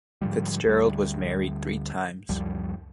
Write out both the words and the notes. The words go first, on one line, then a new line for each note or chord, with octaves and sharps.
Fitzgerald was married three times.
G#2 D3 F3 G3
D2 G3
C#2 F#2 F3 G3